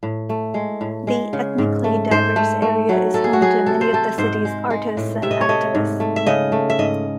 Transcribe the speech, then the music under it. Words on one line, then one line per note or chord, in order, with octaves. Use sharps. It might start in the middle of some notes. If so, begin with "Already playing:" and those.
The ethnically diverse area is home to many of the city's artists and activists.
A2
A3
G#3
A2
G#3
C#3
G#2
A3
G#2 C5
A3
A3
F#3
A3 A4
G#4
F#4
F#3 G#4
C3 A4
C5
A3 A4
G#2 C5
G#3
G#3
A2
C3 E5
D#5
C#5
A3 D#5
G#2
A3
E5
C#3 D#5
A3
E5
G#2 D#5